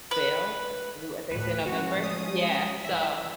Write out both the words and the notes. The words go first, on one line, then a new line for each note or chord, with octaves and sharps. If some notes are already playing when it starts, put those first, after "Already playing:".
fell ooh, if they say November Yeah, so
B4
D2 A2 B4
F3 G#3 C#4 F#4
D#6
E3 E5